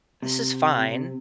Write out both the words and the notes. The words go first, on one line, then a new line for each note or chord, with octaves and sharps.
this is fine.
C3